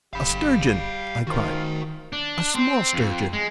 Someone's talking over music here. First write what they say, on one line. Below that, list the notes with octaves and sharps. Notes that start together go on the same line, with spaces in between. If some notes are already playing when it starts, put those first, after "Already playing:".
"A sturgeon," I cried; "a small sturgeon."
G1 G3 G4 F5 B5
D#3 F4 F#4 C5
D4
C4
F2
G#3